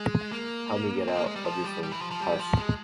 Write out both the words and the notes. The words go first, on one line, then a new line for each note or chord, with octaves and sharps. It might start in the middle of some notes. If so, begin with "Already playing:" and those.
Help me get out of this thing. Hush!
Already playing: G#3
A#3
C4
A#3
G#3
G3
F3
G3
G3
E3
F3
F3
G3
F3
G#3